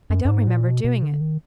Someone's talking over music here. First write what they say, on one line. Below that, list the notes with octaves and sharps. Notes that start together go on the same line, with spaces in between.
I don't remember doing it.
F#2
F#2
G#2
A#2
B2
B2
D3
D#3